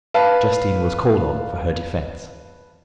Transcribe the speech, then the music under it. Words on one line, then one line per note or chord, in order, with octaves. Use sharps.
Justine was called on for her defence.
B4 F5 A5